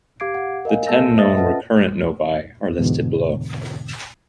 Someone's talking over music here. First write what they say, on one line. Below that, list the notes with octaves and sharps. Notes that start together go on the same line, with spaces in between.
The ten known recurrent novae are listed below.
G4 F5 D6 G#6 C7 D7
F#5
A#4 D#5 F5 G#5
A#3 A4 A5 E6 G6 A#6
C5 D#5 E5 D#6 A6 A#6
C#4 F4 A4 B4 F#5 A5
E2 G#2 B2 D3